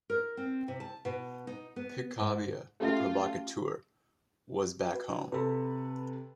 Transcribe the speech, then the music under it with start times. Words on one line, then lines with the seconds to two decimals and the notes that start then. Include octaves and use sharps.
Picabia, the provocateur, was back home.
0.10 A#4
0.37 C4
0.68 C3
0.80 A5
1.05 B2
1.47 D#4
1.76 B3
2.18 G#2
2.80 A3 C#4 F4 G4 E5
4.94 F#4 B4
5.32 C3 A4 B4 B5